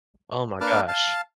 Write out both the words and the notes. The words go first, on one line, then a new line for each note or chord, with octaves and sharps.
Oh my gosh.
A#3 D4 B4 A5 D6 F6
F5 A5